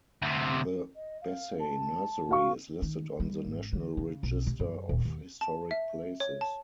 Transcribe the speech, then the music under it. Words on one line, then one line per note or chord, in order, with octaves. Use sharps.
The Bessey Nursery is listed on the National Register of Historic Places.
D2 C3
D#5
F5
A5
F#4 F5 C#6
D#3
G3
G#1
D3
C#3
B1
C3
F#2
D#1
D#2
A5
E5
C#5
A5